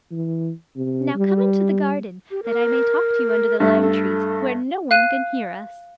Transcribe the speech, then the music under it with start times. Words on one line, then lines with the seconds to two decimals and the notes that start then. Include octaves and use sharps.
Now come into the garden, that I may talk to you under the lime trees, where no one can hear us.'
0.11 E3
0.76 C3
1.15 G3
2.31 G4
2.43 A#4
3.60 G2 A3 E5
3.81 A4
4.91 F5 F#6 D#7